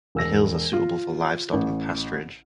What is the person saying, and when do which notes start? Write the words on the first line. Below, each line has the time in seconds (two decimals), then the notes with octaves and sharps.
The hills are suitable for livestock and pasturage.
0.15 E1 E6 A#6
0.73 F4
1.53 A1